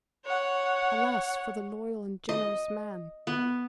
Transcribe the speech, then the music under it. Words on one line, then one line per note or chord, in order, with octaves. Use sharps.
Alas, for the loyal and generous man!
C#5 F#5
D#5
B3